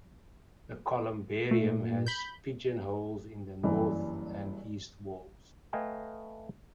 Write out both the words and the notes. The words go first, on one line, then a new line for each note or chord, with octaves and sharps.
The columbarium has pigeon holes in the north and east walls.
A#2 A3
B5 G6
F#1 G2 E3
A3 B4 D#5 F5 G5 G#5